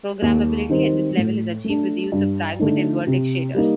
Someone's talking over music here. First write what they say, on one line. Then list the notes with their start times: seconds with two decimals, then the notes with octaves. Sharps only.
Programmability at this level is achieved with the use of fragment and vertex shaders.
0.22 D#2
0.69 D#3 G3 C4 D#4
1.17 A2
1.64 A3 D4
2.12 G2
2.59 D3 A3 D#4
3.07 C3
3.55 G3 A#3 D#4